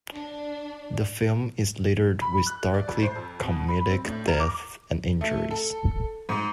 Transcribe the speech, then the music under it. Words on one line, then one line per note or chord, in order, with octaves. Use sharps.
The film is littered with darkly comedic deaths and injuries.
D4
B5
F#6
D5
F2
C5
F2
B2
B5
C4
A2
A#4
D6
A3
A4
G#2